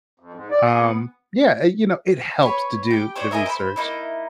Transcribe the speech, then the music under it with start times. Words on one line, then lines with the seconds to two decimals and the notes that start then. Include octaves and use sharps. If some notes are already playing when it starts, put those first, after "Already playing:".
um, yeah, eh, you know, it helps to do the research.
0.20 F2
0.34 G#2
0.51 D5
0.64 G#4
0.79 B3
2.43 B4 C#5
2.91 G4 G5
3.16 D4 F#4 C5 C#5
3.31 E4 A#4 D#5 G#5
3.46 C5 B5
3.76 A#3 D#4 E4